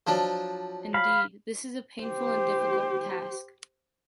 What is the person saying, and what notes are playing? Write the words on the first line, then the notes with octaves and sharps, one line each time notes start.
Indeed, this is a painful and difficult task.
F3 F#3 D4
F5 B5
G4 C5